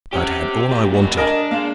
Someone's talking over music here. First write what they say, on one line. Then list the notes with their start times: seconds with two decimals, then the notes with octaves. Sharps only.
I'd had all I wanted.
0.13 C4 C#4 G4 F#5
0.71 A#2 G4
0.92 G#2 F#4
1.17 D4 A#4 D#5 G#5
1.51 G#3 A#3